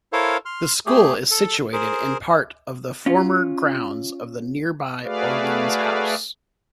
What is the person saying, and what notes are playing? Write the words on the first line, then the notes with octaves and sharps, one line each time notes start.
The school is situated in part of the former grounds of nearby Orleans House.
E4 A4 A#4 C5 C#5 F5
C6 F6
A3 G4 G#4
A4
G#4 A#4 C5
C#4 F4
A3 F#4 G#4 B4 D5 F5